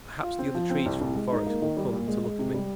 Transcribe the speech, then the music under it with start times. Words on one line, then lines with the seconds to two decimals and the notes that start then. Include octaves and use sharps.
Perhaps the other trees from the forest will come to look at me!
0.23 F4
0.39 C4
0.55 F3
0.70 C4
0.85 C2
1.01 C2
1.16 G#3
1.32 D#4
1.46 A#3
1.62 D#3
1.77 G3
1.93 A#2
2.08 G#3
2.24 G#3
2.39 C3
2.54 G3